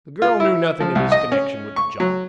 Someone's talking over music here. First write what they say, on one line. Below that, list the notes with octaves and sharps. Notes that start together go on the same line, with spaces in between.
The girl knew nothing of his connection with the job.
F4
E4
F3
C2
D#5
C#4
C#6
F#3